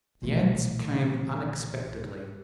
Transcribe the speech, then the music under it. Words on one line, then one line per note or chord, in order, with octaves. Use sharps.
The answer came unexpectedly.
B1 A#2 E3 A3